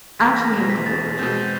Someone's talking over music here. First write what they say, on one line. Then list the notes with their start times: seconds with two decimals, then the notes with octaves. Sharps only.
I actually have a couple of approaches.
0.19 E2 B6
0.37 A#6
0.52 B2 G#3 C4 A#6
0.70 B6
0.86 E2 A6
1.19 B2 G#3 C4 G6